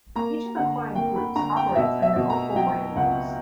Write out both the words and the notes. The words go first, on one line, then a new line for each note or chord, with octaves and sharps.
Each of the client groups operates under multiple brand names.
A#3 A#5
D3 F#5
A#3 G5
B5
D3 A#5
G5
B2 E5
E5
B2
A#5
F#3 G5
C#2 F#5